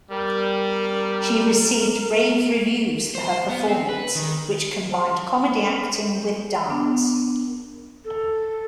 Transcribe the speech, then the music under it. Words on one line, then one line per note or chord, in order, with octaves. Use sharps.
She received rave reviews for her performance, which combined comedy acting with dance.
G3 A#4
C5
B3
C4
B4
D#3
C5 A5 C6
B3 D4
A4